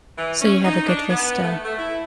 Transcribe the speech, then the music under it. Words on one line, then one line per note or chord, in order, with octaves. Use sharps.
So you have a good vista.
E3
C#4
D#4
D4
B3
A3
A3
E4